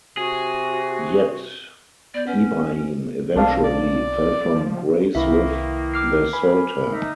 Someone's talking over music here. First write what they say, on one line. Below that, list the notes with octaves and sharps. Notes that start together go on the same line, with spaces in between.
Yet Ibrahim eventually fell from grace with the Sultan.
C3 F#4 G#4
B3 D5 G6
C#4 B4 F#5
B1 C4 D4 A4 F5
D5
F3
C2 D#3 A#3 E4 B4 E5
D6 F6 C7
B4 G#5 B5
D#4 E5